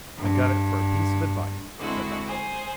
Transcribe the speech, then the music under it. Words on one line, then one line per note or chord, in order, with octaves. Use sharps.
"I got it for a piece of advice," said Babo.
G2
D3 G#3 C4 E4 F#4
G#4 C5